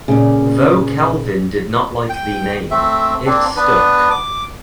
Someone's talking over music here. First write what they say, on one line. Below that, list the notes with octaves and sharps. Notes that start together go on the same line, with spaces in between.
Though Clavin did not like the name, it stuck.
A#2 C#3
G5
A3 C4 E5
A#3 C4 D4
B3 D4 B4
D6